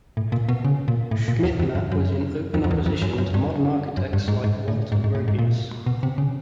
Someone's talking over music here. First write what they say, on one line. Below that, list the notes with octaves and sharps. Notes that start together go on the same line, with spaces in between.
Schmitthenner was in open opposition to modern architects like Walter Gropius.
A2
A#2
B2
C#3
A#2
A2
A#2
E2
F2
F#2
F#2
F2
F2
E2
F2
F#2
F#2
G2
F#2
G2
G#2
G#2
A2
G#2
G#2
A2
G#2
A#2
B2
C3
C#3